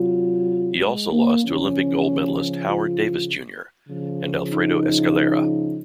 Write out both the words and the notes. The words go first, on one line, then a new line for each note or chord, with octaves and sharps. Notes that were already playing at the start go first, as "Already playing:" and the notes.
He also lost to Olympic gold medalist Howard Davis Jr.. and Alfredo Escalera.
Already playing: C3 F#3 F4
G#3
A#3
C#3 F3 C#4
F4
C#3 F3
D#4